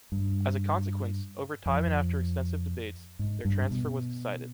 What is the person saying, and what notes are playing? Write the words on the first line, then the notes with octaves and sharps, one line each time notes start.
As a consequence, over time and after extensive debates, their transfer was decided.
G2
F2
G#2
G2
B2